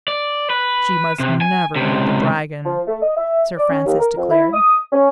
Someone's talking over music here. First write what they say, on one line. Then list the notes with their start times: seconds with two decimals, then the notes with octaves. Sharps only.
"She must never meet the Dragon," Sir Francis declared.
0.08 D5
0.50 B4
1.20 C3
1.41 G#5
1.76 C#2 C3
2.65 F3
2.87 A3
3.02 D#5
3.17 E5
3.57 D5
3.70 C#4
3.86 D#2
3.99 A#4
4.16 F2
4.30 E4
4.53 D#6
4.92 C#4